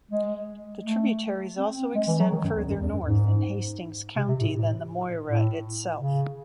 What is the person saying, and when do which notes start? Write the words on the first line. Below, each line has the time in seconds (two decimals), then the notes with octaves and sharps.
The tributaries also extend further north in Hastings County than the Moira itself.
0.11 G#3
0.85 A3
1.58 C4
1.95 G#3
2.07 E3
2.20 F#3
2.32 D#3
2.44 F#2
2.57 E2
2.68 F#2
2.81 E2
2.93 F#2
3.05 G#2
4.16 C3
4.28 C3
4.40 A2
4.52 A2
5.26 A2
5.99 C#3